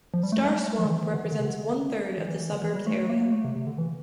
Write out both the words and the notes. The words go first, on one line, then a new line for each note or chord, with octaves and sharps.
Star Swamp represents one-third of the suburb's area.
F3
G3
A3
G3
G3
A3
F3
D3
E3
E3
D3
E3
D3
C3
D3
E3
E3
E3
D3
E3
G3
A3
A3
A#3
A#3
A3
C3
C3
D3
E3